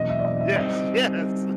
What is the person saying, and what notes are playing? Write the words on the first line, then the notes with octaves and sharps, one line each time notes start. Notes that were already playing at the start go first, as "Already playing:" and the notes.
Yes, yes!
Already playing: E2 B2 F#3 A#3 C#4 D#5
E5
D5
D#5
E5
G3 C4 D#4 D#5